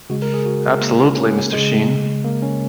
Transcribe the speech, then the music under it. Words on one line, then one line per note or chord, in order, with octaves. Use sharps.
Absolutely, Mister Shean!
C#3 G#3 F#4
A#4
G#4
F#4
A#3
C#4
C#3 G#3
A#3
C#4